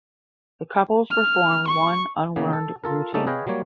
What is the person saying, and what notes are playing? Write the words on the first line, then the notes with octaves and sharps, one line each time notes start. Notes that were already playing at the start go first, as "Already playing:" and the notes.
The couples performed one unlearned routine.
F6
C#6
C#3 E3 A#3 B3
A4
F4 A4 A#4
G3 A3 A#3 C#4 D#4 A4
G#4 B4 C#5 D#5 F5 G5
F#3 G3 A#3 C#5